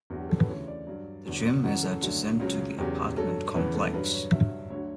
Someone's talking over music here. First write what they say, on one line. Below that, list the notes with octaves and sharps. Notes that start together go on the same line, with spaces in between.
The gym is adjacent to the apartment complex.
E2 D3 F#3 F#4
G4
A4
B4
D2 C#3 E3 C#5
D5
G2 F#3
E2 D3 F#3
F#2 C#3 E3 F#5
A4
D2 D3 F#3
C#2 C#3 F#3
E2 C#3 F#3 G4
G2 F#3 A4
E2 C#3 E3 B4
A4
G2 F#3 B4
C#5
G2 D3 F#3 E5
D2 D3 F#3 C#5